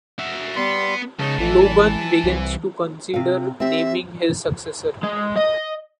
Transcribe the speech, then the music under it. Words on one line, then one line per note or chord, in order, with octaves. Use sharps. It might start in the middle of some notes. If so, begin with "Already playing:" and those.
Logan begins to consider naming his successor.
F#4 E5
G3 B3 C6
C#2 C#3 D#4 A5
A1 E3
C2
C3 F5
C4 G4 E5
G#3
D#5